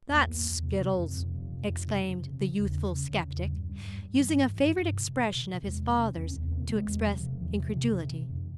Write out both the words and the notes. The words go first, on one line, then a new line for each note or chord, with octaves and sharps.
'That's skittles!' exclaimed the youthful sceptic, using a favourite expression of his father's to express incredulity.
E2
A#3
E2
E2
C3
C3
F2
F2
C3 F3
C3
F2
C3
C#3
C#3
C#3
E2
C#3
C#3
C#3
E2
G2
G2
G2
G2
G2 E3
G2
G2 F3
G2
C3
C3
C3
C3
E2 G#3
C3
C3 C#4
E2
C#4
E2 C4
C3 C4
A#3
C3 G#3
E2
C3 F3
C3
E2 E3
C3
C3
C3
C3
F2